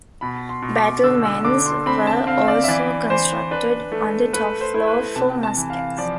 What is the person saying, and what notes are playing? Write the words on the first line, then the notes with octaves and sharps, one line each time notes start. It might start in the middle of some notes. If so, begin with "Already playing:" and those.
Battlements were also constructed on the top floor for muskets.
B2 B5
C6
B2
D6
D3 E6
E6
D3 D6
C6
C4 B5
A5
C4 F5
D5
E5
E3 D5
E3 C5
D4 B4
A3
A3 B4
C5
E4
B4
C3 A5
A5
E3
F5
F3 D5